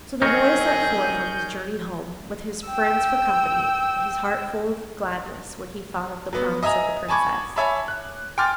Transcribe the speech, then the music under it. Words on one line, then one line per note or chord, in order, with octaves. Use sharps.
So the boy set forth on his journey home, with his friends for company; his heart full of gladness when he thought of the promise of the princess.
F#3 C4 C#4 D#4 G#4 A#4 C#5 G6
G5 E6
F#3 B3
D#5 E5 G#5 A#5 D#6
G#5 A5 B5 C#6 D6 G#6
C#5 E5 G#5 A5 B5
F#6
G5 G#5 C6 D6 F6 A6